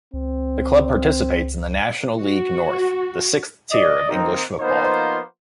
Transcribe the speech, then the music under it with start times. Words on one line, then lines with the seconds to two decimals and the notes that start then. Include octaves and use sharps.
The club participates in the National League North, the sixth tier of English football.
0.14 C#2 C4
2.19 F#4
3.72 D5 D#5
4.09 D#3 A#3 C4 D#4
4.60 F3 A#3 B3 D#4 F4 C5